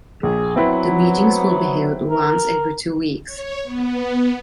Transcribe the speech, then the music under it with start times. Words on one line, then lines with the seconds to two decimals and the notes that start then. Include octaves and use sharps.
The meetings will be held once every two weeks.
0.23 A#1 G#4
0.56 F#3 B3 C4 E4 B4
2.09 A#4
3.26 C#5
3.63 B3